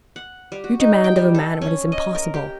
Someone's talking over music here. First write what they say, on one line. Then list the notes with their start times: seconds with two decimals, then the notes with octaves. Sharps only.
You demand of a man what is impossible.
0.16 F#5
0.52 G3
0.64 F#4
0.80 D#4
1.04 G5
1.16 G3
1.34 A4
1.61 C#4
1.92 D#5
2.15 A#4
2.34 G4